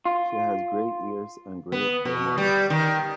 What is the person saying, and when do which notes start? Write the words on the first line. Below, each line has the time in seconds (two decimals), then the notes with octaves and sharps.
She has great ears and great harmonics.
0.05 F4
1.72 B3
2.05 B2
2.38 G3
2.70 D#3